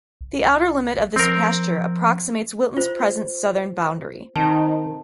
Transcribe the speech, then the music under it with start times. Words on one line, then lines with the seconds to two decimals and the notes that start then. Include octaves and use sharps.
The outer limit of this pasture approximates Wilton's present southern boundary.
0.21 C2
1.16 F3 C4 A#4
2.77 F4 C5
4.36 D#3 C4 D#4 A5